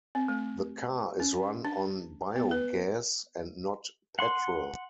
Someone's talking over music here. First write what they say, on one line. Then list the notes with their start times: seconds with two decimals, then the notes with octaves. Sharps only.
The car is run on biogas and not petrol.
0.15 C4
0.28 A3
1.20 C#4
1.65 D4
2.36 B3
2.51 B4
4.19 F#5 C6